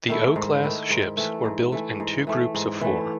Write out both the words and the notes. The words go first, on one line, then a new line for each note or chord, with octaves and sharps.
The O-class ships were built in two groups of four.
D#3 A3 E4
G#2
D#3 A3 E4
G#2
E3 A3
G#2
E3 A3
G#2
E3 A3
G#2
E3 A3